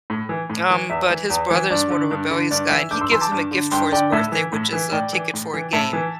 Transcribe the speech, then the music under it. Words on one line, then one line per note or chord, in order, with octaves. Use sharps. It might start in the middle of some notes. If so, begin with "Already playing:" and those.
Um, but his brother is more the rebellious guy, and he gives him a gift for his birthday which is a ticket for a game,
A2
E3
A2
E3
E2 E5
E3
E2
E3
G2 D5
D3
G2
D3
G2 D5
E3 E5
G2 D6 G6
C6 E6
E3 C6 E6
A5 D6
G2
D3
G2 G5 C6
D3 D5 G5
A2 E5
E3
A2
E3
A2 D5 G5
E3
A2
E3
A2 E5 A5
E3